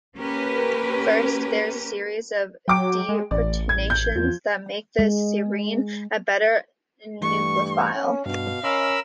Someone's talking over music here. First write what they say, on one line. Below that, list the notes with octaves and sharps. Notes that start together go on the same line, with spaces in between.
First, there is a series of deprotonations that make the serine a better nucleophile.
A#3 C#4 G4 A#4 B4
F#3 G5 D6 D7
G#3
A1 D5
G#6
G6
E2 F3
G#3
G2 E3 A3 C#6
C#4
G2 B2 F5
C#4 A#4 D#5 B5 C6 E6 F6